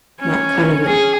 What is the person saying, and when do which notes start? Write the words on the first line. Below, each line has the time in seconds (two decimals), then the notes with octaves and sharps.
Matt Canavan.
0.20 C#4 G#5
0.87 G#4